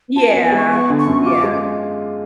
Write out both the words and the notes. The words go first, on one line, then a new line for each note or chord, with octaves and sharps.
Yeah. Yeah.
F4 A5
G#5
B3
G#5
G#3
C#6
B3 C#6
D3
C#6
F#2
F4 D6
G#3